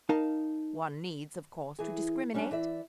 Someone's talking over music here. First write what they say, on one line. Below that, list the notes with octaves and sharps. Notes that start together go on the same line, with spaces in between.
One needs, of course, to discriminate.
D#4 A#4 F5 A5
E3 G#4
F#3 G3 C#4 D4
E3 D5 E5